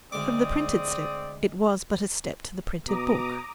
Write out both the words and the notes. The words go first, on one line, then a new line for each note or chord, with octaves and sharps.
From the printed slip it was but a step to the printed book.
D2 G#3 C4 D5 D6 D#6
B2 A#5 D6 D#6